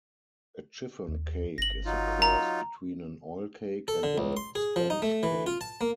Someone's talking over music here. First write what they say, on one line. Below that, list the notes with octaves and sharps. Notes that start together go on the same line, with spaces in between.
A chiffon cake is a cross between an oil cake and a sponge cake.
D#2
G1 A#6 F#7
F#3 D#4 F4
A#5
A4
D3
C#2
C6
G#4
F3
D#4
A3
E3
F4
A5
A#3